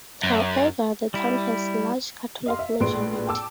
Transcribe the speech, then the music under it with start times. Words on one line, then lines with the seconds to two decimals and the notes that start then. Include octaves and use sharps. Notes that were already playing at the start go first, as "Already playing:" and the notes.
However, the town has a large Catholic majority.
0.23 F#2
1.14 G3 E4
2.46 D#5 F5 C6
2.59 E5
2.80 A#1 A2 G#4 B4 C6 D7
3.27 G5 A5 D6 E6